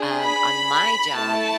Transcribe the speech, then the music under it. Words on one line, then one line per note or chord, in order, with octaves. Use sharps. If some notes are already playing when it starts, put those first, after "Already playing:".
Um, on my job
Already playing: D4 G#4
B5
A3 E4 A4 A5